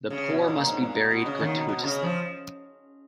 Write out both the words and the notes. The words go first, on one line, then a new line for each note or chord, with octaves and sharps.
The poor must be buried gratuitously.
C#3
B2
A#2
G#2
A#2
B2
B2
C#3
D#2 D#3
B2
B2
C#3
F3